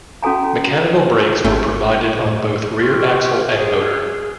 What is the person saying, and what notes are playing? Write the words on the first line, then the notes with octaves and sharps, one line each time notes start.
Mechanical brakes were provided on both rear axle and motor.
C#4 F#4 A4 G#5 A#5
G#1 A3 C#4 G5
A2
G4 C6 C#6 F6
G#4